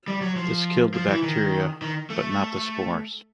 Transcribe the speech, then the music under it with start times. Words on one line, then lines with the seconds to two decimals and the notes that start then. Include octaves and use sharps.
This killed the bacteria, but not the spores.
0.08 G3
0.21 F#3
0.36 F3
0.94 F3
1.09 E3
1.23 D#3
1.82 D#3
2.10 A3